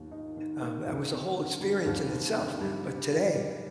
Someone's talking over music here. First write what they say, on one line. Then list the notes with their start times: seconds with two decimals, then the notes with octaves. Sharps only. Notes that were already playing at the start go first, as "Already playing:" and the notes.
um, that was a whole experience in itself. But, today,
Already playing: D#2 A#3
0.11 D#4
0.37 D#3
0.62 A#3
0.87 D#2
1.12 C4
1.37 D3
1.61 G3
1.86 D#2
2.12 C4
2.36 D3
2.61 G3
2.86 D3
3.11 F4
3.36 G3